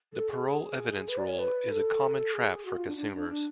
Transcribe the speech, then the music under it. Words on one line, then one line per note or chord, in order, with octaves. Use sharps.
The parol evidence rule is a common trap for consumers.
A4
G#4
B4
D5
C#5
B4
A4
G#4
F#4
F4
D4
D4
D4
D4